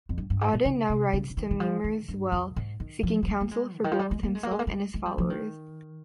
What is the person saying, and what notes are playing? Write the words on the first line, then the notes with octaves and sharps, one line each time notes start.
Odin now rides to Mimir's Well, seeking council for both himself and his followers.
F2
G2
G2
G#2
A#2
C#3
C3
C#3
C#3
D#3
D#3
F3
D#3
G2
F2
G#2
D#3
F3
G#3
G3
A#3
G#3
C#3
D#3
F3
G3
G#3
A#3
G#3
A#3
G#3
A#3
G#3
G#3
G3
F3
D#3